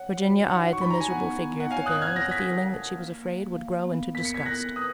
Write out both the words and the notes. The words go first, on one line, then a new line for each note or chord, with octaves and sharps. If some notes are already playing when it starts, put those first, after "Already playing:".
Virginia eyed the miserable figure of the girl with a feeling that she was afraid would grow into disgust.
Already playing: C#5 F#5
F#4
D#4 F#5
C#6
D#4 B5
A#5
G#5
B3 F#5
B3
F#5
C#5 F5 G#5
D#6 F#6
F#5 F6 G#6
F#6 A#6
A#4 G#6 B6
F5
A#3
A#3
F5
B3
A#4 B6
C#7
G#6 B6
A#4 F#6 A#6
B4 D#6 F#6